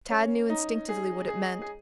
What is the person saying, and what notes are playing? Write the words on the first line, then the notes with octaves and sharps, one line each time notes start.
Tad knew instinctively what it meant.
C#4
D#4
G#4
G#4
G#4